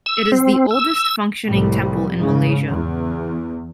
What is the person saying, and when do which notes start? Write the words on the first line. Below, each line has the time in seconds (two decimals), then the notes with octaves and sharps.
It is the oldest functioning temple in Malaysia.
0.06 E6
0.32 C4
0.71 E6
1.46 C2 F2 A2 G3
2.17 G#2 C#3
2.68 E2